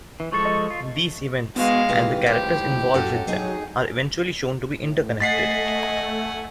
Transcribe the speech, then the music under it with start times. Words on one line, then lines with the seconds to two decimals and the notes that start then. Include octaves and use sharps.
These events-and the characters involved with them-are eventually shown to be interconnected.
0.20 E3
0.32 F3 G#3 A4 C#6
0.45 D#5
0.70 F4
1.56 D#3 G#3 B3 F#4 F5
1.89 D#1 C3 E3 G4
2.26 A2 F3 G4
2.94 F#2 F#4 A4
3.27 F#3 D#4 G#4 D#5
4.83 A2
5.20 A3 D#5 F#5 G#5 A6 B6 C7